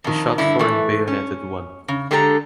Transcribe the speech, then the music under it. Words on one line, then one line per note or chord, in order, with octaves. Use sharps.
He shot four and bayoneted one.
F2 D#3
G2 D3 E4
E3 A3
C#4
C#3
D3 G#3 G4 A4 A5 A#5